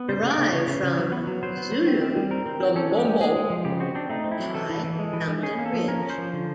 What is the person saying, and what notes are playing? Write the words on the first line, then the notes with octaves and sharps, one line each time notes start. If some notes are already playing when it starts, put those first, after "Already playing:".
Derived from Zulu Lumbombo, 'high mountain ridge'.
Already playing: B3
C#3 C5
C#3
D5
C#3
C#3 C#5
C#3
C#3
F#3
B3
F#3
F#3 C5
B3
F#3
C4
C4
G3
C4 A#4
C4
C4
C#4 A4
G#3
G4
G#3
G#3 G#4
G#3
F3
C#3 G4
C4 F#4
C4 D4
A3 D#4
C4
E4
F#3
E3 A4
E3
E3
G#3
E3
G#3
C#4 G#4
A#3
A4
F3
C#4 A#4
C#4
C5
F3
D3